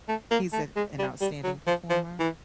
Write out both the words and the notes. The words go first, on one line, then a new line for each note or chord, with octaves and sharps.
He's an an outstanding performer.
A3
A#3
A3
G#3
G3
G3
F#3
F3
F3
E3